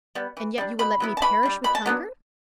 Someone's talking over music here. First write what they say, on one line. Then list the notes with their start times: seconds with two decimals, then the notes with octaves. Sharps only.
"And yet you will let me perish with hunger?"
0.15 G3 B3
0.37 E3
0.58 G3 D4
0.79 B2 B5
1.00 F#3 B3 E4
1.17 A5
1.22 E3 B5
1.43 G3 D4
1.64 B2 B5
1.75 A5
1.86 F#3 B3 D4